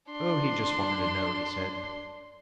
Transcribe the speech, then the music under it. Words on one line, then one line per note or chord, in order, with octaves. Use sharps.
Oh, he just wanted to know, he said.
D4 C6